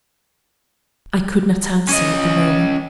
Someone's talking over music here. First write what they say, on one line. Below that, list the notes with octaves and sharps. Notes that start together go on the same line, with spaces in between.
I could not answer at the moment.
C#4 D#5